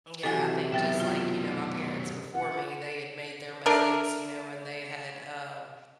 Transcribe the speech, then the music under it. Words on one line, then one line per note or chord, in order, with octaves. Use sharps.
Yeah, I think just like, you know, my parents before me, they had made their mistakes, you know, and they had, um,
C3 E3 F#3 A4 G#5
F#2 B2 E5 G5 A6
F4
F4 F#5
A3 D4 A#4